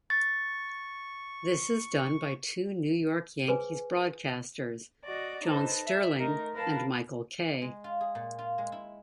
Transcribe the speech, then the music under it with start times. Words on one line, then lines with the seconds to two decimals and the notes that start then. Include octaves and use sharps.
This is done by two New York Yankees broadcasters: John Sterling and Michael Kay.
0.10 C#6 A6
3.48 G#4 B4 C5 G#5
5.05 F#4 D5 D#5
5.44 D#4 A4 B4 C5
5.86 E5
6.17 A3 D#4 A#4
6.54 A#4 B4 F5 A5
7.62 G#3
7.84 F4
8.01 G#4
8.15 A#2
8.39 F4
8.58 G#3
8.72 E4